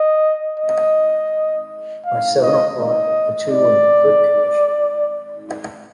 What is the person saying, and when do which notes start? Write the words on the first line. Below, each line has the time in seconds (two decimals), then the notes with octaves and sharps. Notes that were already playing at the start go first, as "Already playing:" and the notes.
By seven o’clock the two were in good condition.
Already playing: D#5
0.60 D#5
2.06 F5
2.42 D#5
2.79 D#5
3.51 D5